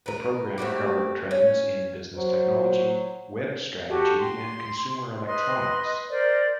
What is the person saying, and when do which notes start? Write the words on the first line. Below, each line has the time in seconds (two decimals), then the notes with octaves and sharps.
The program covered trends in business technology, web strategy, and consumer electronics.
0.06 A#4 B4
0.58 A3 C4 F#4 G4
1.31 C#4
2.15 F#3 C5
3.88 F#4 G4 A4
4.17 C6
5.25 B4 D#5 C6
6.10 A#4 C5 D5